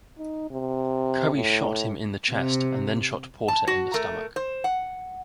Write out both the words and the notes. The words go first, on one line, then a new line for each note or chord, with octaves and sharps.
Currie shot him in the chest and then shot Porter in the stomach.
D#4
C3
A2
C3
A5
F#4
A3 A#4
C5
F#5